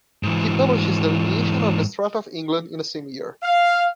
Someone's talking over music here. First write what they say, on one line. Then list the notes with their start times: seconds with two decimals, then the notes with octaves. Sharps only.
He published his "Delineation of the Strata of England" in the same year.
0.23 G#2 E3
3.43 F5